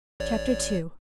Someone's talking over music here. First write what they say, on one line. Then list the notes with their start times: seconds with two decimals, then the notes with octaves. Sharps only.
Chapter II.
0.20 A1 C#5 D5